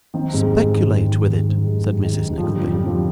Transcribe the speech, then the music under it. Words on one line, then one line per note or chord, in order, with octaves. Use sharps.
'Speculate with it,' said Mrs Nickleby.
D#3 C4
G#2 G3
G#3
G#2
D#3
G#2
D#3
D#3
G#2
G#2
G#2 G3
D#3
G#2
F3
D3 G3
F2 F3
G3
D3 F3